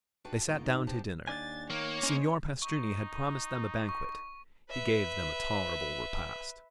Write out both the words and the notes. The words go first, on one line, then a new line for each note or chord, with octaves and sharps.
They sat down to dinner. Signor Pastrini had promised them a banquet; he gave them a tolerable repast.
D4 F#4 B4 F5 G5 A5
G#2 B2 D#3 A#3 D#4 F4
B3 D4 G4 C5 A5
D#2 D4 G#5 A6
D#3 A#3 C#5
C#4 D#4 C5
D#4 C#6
C#6
B4 E5